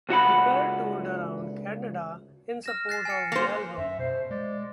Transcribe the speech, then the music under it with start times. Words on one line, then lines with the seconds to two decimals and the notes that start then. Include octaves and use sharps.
The pair toured around Canada in support of the album.
0.09 C#2 F#4 F#5 B5
2.64 F6 A#6 E7
2.89 F#6 A6 C7
3.05 G#5 F6 C#7
3.32 A#3 C5
3.78 F#2 E5
3.99 B2 C5
4.31 G#3 D5